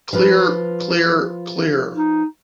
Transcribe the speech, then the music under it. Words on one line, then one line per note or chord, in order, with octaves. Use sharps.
Clear, clear, clear.
F3 F4 B4
D#4